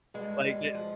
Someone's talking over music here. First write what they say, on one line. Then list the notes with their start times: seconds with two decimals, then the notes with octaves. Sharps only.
like, the
0.14 G2 G#3
0.44 G3
0.74 F3